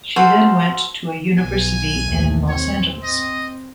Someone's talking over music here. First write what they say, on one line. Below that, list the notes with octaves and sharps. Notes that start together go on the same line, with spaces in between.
She then went to a university in Los Angeles.
F#4 A4 C5 F5
B1 G#5
D#2 A2 A3
C4 C#5
D#5